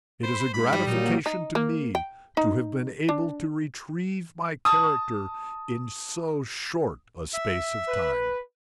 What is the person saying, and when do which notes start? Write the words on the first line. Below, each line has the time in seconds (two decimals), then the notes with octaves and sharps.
"It is a gratification to me to have been able to retrieve my character in so short a space of time."
0.23 C5 B5 C6
0.53 G#2 B5
0.73 G3
0.87 A#2 F#3 A#3 D#4
1.26 D#4
1.55 A#3
1.95 G5
2.37 D#4
3.09 D4
4.65 A5 D#6
7.33 E5
7.89 B4